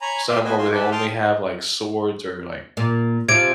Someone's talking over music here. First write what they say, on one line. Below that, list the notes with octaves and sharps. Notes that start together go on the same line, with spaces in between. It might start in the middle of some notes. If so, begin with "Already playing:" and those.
somewhere where they only have, like, swords or, like
C#5 G#5 A#5 B5
G4 C5 D5 E5 F5 C6
B3 B4 C5 D#5 G#5
F4 F#4 C5 G#5 C6
G4 A4 B4 E5
G5 A5 C6 D#6 F6
A#2
C3 F3 G#6 D7